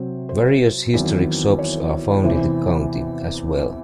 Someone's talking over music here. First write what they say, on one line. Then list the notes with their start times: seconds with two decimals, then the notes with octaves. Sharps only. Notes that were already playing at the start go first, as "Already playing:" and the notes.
Various historic shops are found in the county, as well.
Already playing: C3 F#3 C4 C5
0.29 C5
0.94 E2 D#3 F#3 C4
1.59 C#5
2.24 E2 C3 E3 C4 C5